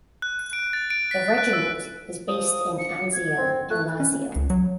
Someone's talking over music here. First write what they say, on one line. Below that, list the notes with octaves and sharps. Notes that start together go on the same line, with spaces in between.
The regiment is based in Anzio in Lazio.
F#6
D7
A6
D7
B6
F#6
E6
F3 D#6
C#7
G#6
C4
A3 F#6
C#4
C#2
F#3